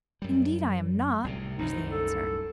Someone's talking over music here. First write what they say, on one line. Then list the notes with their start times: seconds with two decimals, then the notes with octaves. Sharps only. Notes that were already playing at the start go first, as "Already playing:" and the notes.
"Indeed I am not," was the answer.
0.22 F#2 G3
1.24 C2 A2 C3
1.58 C2 F#2 A2 D#4
1.91 A4